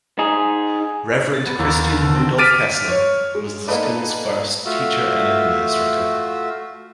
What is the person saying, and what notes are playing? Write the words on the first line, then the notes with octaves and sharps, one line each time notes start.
Reverend Christian Rudolph Kessler was the school's first teacher and administrator.
D#4 G#4
A6
B3
D#2
A6
D3
C4
D6 F6 A6 B6 D7 D#7
C#5
G#3
A#3 B3 D#4 A4 B4 D5
A3 F4 F#4 E5